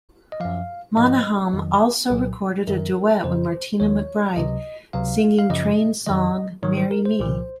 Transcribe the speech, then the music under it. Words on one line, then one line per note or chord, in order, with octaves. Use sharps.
Monahan also recorded a duet with Martina McBride, singing Train's song "Marry Me".
D#5
F#2 F3 F5
G#2 F3 D#5
F2 D#3 F#3
C2 A#2 F#3
F#2 D#3 F#3 A#4
F2 C#3 F3 C5
D#2 D#3 F#3 C#5
C#2 C3 F#3 D#5
C#2 C3 F#3 F5
F5
F#2 C#3 F3 D#5
F2 D#3 F#3 D#5
G#2 D#3 F#3 C#5
C5
A#4
C5
C2 A#2 F3